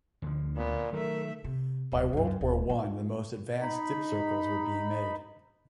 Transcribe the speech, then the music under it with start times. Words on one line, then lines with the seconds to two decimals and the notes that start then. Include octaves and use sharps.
By World War One the most advanced dip circles were being made.
0.22 D2 D3 F3
0.57 A#2 B3
0.93 D#3 F#3 A3 A#4 E5
1.44 C3
1.92 D1 A#2
2.13 C#2 F#2
2.41 D1
2.70 G#3 F4
3.61 D#4 B5